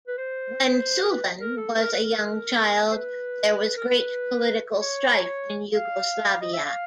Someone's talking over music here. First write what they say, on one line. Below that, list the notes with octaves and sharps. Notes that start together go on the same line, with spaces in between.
When Suvin was a young child, there was great political strife in Yugoslavia.
B4
C5
A#4
B4
A#4
A4
B4
A#4
B4
A#4
C5
B4
A#4
B4
C#5
F5
D#5
E5
F5